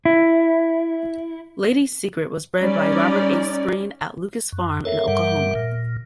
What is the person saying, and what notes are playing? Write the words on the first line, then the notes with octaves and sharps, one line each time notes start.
Lady's Secret was bred by Robert H. Spreen at Lucas Farm in Oklahoma.
E4
G3 C#4 D#4 D5
F#2
A4 A#4 C#5 E5
G2 G3 F#5
A#2